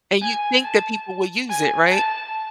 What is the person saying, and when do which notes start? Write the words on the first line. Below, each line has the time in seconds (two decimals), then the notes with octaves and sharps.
and you think that people will use it, right?
0.22 G#5
0.64 A5
1.49 G#5
1.91 A5